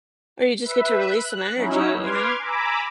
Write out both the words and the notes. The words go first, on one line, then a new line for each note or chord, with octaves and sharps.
Or you just get to release some energy. You know?
B4 E5
F#6
F#3 C#4 D#4 E4
B4 C6 D6 F6 G#6
G#5 A#5 B5 D6 E6